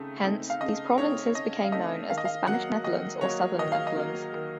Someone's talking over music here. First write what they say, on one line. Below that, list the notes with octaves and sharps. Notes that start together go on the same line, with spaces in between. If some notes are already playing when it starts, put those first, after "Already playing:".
Hence, these provinces became known as the Spanish Netherlands or Southern Netherlands.
Already playing: C#3 A3 C4 D#4
A3 C4 D#4
F5
C#3 D#5
A3 C4 D#4 C#5
C#5
C#3 D#5
F5
A3 C4 D#4 D#5
D#3 F5
D#5
F5
F#3 A#3 F#5
D#3 D#5
F#3 A#3 C#5
D#3 D#5
F5
D#5
F#3 A#3
D#3